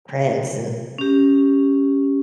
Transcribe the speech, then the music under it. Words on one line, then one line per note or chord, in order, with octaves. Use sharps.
Prince and,
C#4 G4